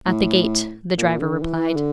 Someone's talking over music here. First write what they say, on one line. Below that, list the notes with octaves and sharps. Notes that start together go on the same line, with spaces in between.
'At the gate,' the driver replied.
A2
A#2
D3
E3
D3